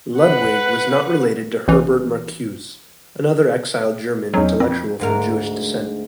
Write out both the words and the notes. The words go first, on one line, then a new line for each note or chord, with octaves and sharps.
Ludwig was not related to Herbert Marcuse, another exiled German intellectual from Jewish descent.
B4 F#5
A1 E3
E2 F#3 C4 C#4 D#4
F2 C4
D2 G#2 A#4